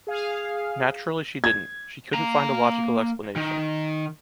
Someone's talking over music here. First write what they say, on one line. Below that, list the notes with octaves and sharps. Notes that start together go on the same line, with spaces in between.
Naturally she didn’t - she couldn’t find a logical explanation.
G#4 F5
G#6
A#3 A#5
D#3